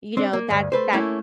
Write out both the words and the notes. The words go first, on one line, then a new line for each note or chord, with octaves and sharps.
you know, that's that's
C4 D4
A#3
D2 G2
A3 B4 C5
A3 A#3 C#4 E4